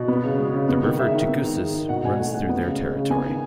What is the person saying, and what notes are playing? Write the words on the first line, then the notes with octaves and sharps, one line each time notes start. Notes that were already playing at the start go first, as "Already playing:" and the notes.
The river Tiguisas runs through their territory.
Already playing: B2
B3
C#3
G#3
C#3
B3
D#3
G#3 E5
D#3
B3
D#3
G#3
D#3
B2 F#5
B2 G#5
A3 F#5
A3 F#5
B3
C#3
G#3
C#3
B3 G#5
D#3